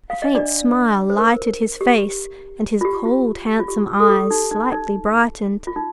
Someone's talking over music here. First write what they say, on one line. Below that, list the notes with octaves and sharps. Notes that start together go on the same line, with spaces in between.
A faint smile lighted his face, and his cold, handsome eyes slightly brightened.
F5
D#5
D4 D5
C5
A#4
G4
F4
G4
F4
F4
G4
A4
G4
D#4
D#4
D#4
F4
D#4